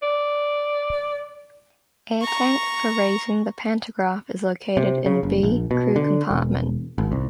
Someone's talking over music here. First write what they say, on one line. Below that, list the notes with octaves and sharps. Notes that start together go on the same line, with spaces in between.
Air tank for raising the pantograph is located in "B" crew compartment.
D5
A#5 C#6
C3
C#3
F#1
A#1
B2
D3
E1
G#1
C2